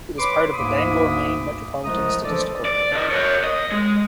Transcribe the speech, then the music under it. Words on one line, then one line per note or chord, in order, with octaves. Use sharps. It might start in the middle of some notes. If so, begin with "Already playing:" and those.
It is part of the Bangor, Maine Metropolitan Statistical Area.
B4 C#5 B5 C6 D6
D2 G#2 A#3 B5 D6 D#6
C2 F3 G#3 A3 A#5 D#6
E3 F3 D4 A4 D5
D5
D3 D#5
A#4 C#5
D#5
G#3